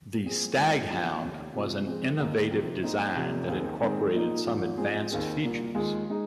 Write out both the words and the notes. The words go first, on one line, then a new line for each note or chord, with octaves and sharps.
The Staghound was an innovative design that incorporated some advanced features.
A#2 F3 C4 G#4
D#2 D#3 G#3 F4
A#1 A#2 F3 C4
F1 D#2 D#3
C3 F3 G#3
F2 F3 G#3 C4 G#4
D#2 D#3 A#3 D#4
F2 C3 D#3 C4
A#2 F3 C4 D#4
F1 F2 C3
D#2 D#3 C4 G#4
G#2 D#3 C4 G#4
A#2 F3 A#3 D#4
G#1 G#2 F3
G#2 F3 C4 G#4
D#2 D#3 C4 G#4
C2 A#2 A#3
D#2 D#3 G#3 F4 G#4
G#3 D#4 G#4